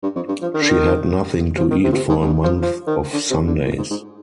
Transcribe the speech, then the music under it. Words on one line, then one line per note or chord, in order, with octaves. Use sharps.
She had nothing to eat for a month of Sundays.
G2
F2
G2
F3
D#3
D3
D#3
F3
D#3
C3
A#2
C3
G#2
G#2
G2
F3
F3
D#3
D3
C3
D3
A#2
G#2
G#2